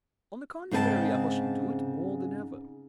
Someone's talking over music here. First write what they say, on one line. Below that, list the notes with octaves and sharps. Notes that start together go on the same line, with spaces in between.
On the contrary, I must do it more than ever.
G#2 C#3 C4 A#4 A5